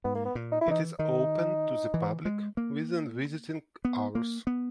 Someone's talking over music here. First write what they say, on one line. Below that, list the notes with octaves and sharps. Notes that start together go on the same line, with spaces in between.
It is open to the public within visiting hours.
G#2 B3
A#3
B3
A#2
D#4
E4
E3 D#4
D#3 D#4
E3
G#3
A#3
B3
A#3
B3